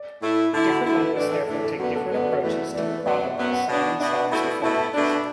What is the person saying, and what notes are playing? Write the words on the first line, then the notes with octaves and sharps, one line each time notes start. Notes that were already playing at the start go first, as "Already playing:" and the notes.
Different linguists therefore take different approaches to the problem of assigning sounds to phonemes.
Already playing: D5
A2 A3 E4
D3 A3 E4 A4
F#4
D3 A3 E4 A4
B4
A2 E3 A3 D4 D5
A4
A2 E3 A3 D4 A4
A4
F#2 D3 B3 F#4
A4
F#2 D3 B3 B4
D5
F#4
E2 E3 A3
E2 E3 A3 D5
B4
F#2 F#3 B3 D5
E5
F#2 F#3 B3
F#5
B2 B3 D4
B2 B3 D4 E5
F#5
B2 A3 E4 B5
B2 A3 E4 A5
A5
B2 A3 D4